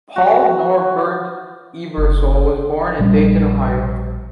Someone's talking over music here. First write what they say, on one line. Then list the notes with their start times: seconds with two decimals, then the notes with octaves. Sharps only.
Paul Norbert Ebersol was born in Dayton, Ohio.
0.16 F#4
1.97 F#1
2.99 A#1 G3